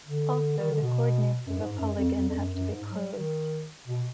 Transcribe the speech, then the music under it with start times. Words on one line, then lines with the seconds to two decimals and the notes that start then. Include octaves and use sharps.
Also the coordinates of a Polygon have to be closed.
0.04 D3
0.57 D#3
0.69 D3
0.81 B2
1.46 F#2
1.57 G#2
1.76 F#2
1.96 F2
2.15 F2
2.29 F2
2.34 F#2
2.53 F#2
2.72 G#2
2.91 F#3
3.11 D#3
3.87 B2